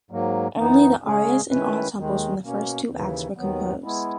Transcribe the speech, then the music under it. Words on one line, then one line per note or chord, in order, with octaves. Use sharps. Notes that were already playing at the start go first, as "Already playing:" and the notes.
Only the arias and ensembles from the first two acts were composed.
G#2 F#3 A#3
F#2 E3 B3 D#4
C#3 G#3 C#4 G#4
D#3 G#3 C#4 E4 B4
D#2 D#3 G#3
B2 A#3 C#4
D#2 C#3 E3
D#2 D#3 F#3 B3
G#3 B3 E4